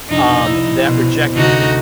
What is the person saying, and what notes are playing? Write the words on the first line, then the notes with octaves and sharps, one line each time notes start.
um, that rejected him
C2 F2 C3 D4 D#4
E4 E6
B2 C5
D2 C3 A3 D#4 F#4